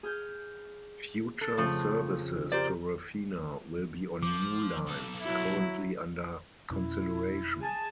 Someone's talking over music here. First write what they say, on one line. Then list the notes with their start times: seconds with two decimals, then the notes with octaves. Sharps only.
Future services to Rafina will be on new lines, currently under consideration.
0.03 G#4 F6 G6
1.41 A4
1.57 F2 C#3 F3 A3
2.52 G4 A#4 C5 D5
4.23 F3 D6
4.86 B1 A4
5.22 F#3 E4
6.70 F2 B2 C#4 E4
7.61 G#4 G#5 A5